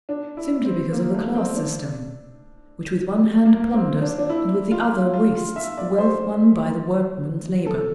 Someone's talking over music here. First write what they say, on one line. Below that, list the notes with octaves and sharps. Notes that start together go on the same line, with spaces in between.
Simply because of the class system, which with one hand plunders, and with the other wastes the wealth won by the workman's labour.
D4
E4
C4
A#3
A3
C4
D4
A#3
C4
D4
D4
E4
F4
F4
F4
E5
D5
C5
A4